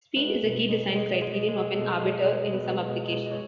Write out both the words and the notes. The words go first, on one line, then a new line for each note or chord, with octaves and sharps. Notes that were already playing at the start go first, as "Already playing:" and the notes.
Speed is a key design criterion of an arbiter in some applications.
G#3 B4
B2
G#3
G#3
G#3
G#3
B2 A4
G#3
G#3
B2 B4
G#3
G#3
D#5
C#5